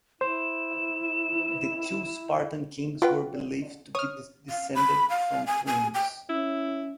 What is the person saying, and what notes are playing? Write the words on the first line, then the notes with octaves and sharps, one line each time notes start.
The two Spartan kings were believed to be descended from twins.
E4 C5 E7
F4 F#4 B4 G5
C#5 D#6 F6
F5
B5
F5
G#5
G#5
G5
C#4 E4